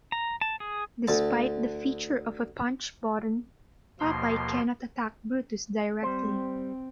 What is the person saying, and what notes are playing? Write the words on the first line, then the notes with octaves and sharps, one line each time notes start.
Despite the feature of a punch button, Popeye cannot attack Brutus directly.
A#5
A5
G#4
D2 A5
D#2 B2 F3 A#3 C6
G3 C4 C5